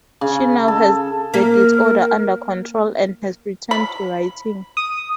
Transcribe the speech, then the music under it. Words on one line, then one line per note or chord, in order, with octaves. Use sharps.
She now has the disorder under control and has returned to writing.
C#3
A4
A#3 A#4
B5
D#6